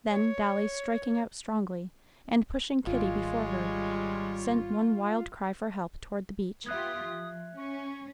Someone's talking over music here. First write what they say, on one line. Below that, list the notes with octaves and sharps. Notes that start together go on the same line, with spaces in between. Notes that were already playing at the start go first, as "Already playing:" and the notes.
Then Dolly, striking out strongly, and pushing Kitty before her, sent one wild cry for help toward the beach.
C#5
G#1 G3 G#3 F4 C#5
B3 F4 G4 E5 D#6 F#6 G#6
F3
C#4 C#6